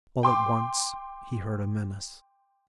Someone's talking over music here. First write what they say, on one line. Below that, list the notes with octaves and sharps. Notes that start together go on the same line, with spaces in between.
All at once he heard a menace.
G5 C6 D6